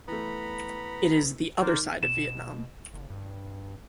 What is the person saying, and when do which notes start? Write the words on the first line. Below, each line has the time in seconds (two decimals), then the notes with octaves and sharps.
It is the other side of Vietnam.
0.08 E3 A3 B3 A#5 B5
1.61 D#3 A#4 C5 D5
2.03 B2 E7
2.94 F#1
3.10 G2